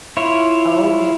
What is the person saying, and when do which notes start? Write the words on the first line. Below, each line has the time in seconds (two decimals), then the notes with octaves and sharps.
Oh, ye
0.17 E4 F4 C#5